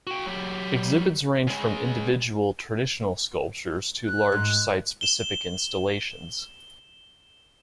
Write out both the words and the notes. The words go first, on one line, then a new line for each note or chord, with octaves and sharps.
Exhibits range from individual, traditional sculptures to large site-specific installations.
F#4 G5
F#3 G4
C#3 G#3
F#6
G#2
E7 G7